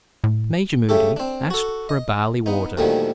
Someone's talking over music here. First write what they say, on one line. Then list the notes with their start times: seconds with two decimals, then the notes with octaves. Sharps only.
Major Moody asked for barley-water.
0.24 A2
0.89 C#3 A3 G4 A4
1.16 C4 D4
1.50 F#4 A4
1.89 D#5
2.46 B3 D#4
2.77 D2 A#2 D3 D#3 F3 G3